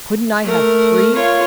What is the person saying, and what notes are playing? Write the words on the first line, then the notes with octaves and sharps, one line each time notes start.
Couldn't I have three?
A3 A#4
F4 C#5